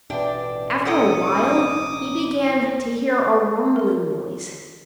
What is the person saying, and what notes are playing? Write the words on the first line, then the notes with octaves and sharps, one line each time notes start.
After a while he began to hear a rumbling noise.
A1 B2 D4 B4 E5 G5
C#4 A4 F#5 G5 A#5 D6 D#6
C5
A#4